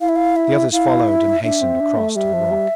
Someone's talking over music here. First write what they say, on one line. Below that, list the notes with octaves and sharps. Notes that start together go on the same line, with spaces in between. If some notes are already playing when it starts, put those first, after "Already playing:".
The others followed, and hastened across to the rock.
E4 F5
E5
F5
E5
E4 F5
E5
D4 E5
C4
D4
A3
G3 E5
F3
G3